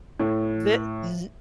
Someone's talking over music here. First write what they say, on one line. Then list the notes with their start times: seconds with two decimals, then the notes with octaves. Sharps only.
Thi th
0.19 A2